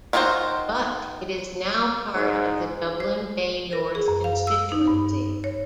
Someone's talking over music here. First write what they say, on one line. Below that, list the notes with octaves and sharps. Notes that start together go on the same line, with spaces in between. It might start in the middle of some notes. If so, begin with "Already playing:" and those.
But it is now part of the Dublin Bay North constituency.
D#3 D#4 F4 F#4 C5
G#2
C5
A#4
G#4
F#2
F5
E6
D#4
G2
C#5